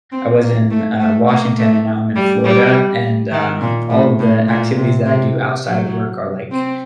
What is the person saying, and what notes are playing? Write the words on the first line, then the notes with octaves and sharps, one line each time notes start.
I was in, uh, Washington, and now I'm in Florida, and, um, all of the activities that I do outside of work are, like,
C4
A#3
A3
A3
A#3
A3
G3
G3
D#3
A#2
A2
A2
A#2
C3
C3
F#3
C4